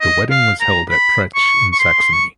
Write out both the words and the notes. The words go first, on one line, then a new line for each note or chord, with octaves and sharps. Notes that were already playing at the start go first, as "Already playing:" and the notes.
The wedding was held at Pretzsch in Saxony.
D#5
F5
A#5
B5
C#6
C#6
C6
C#6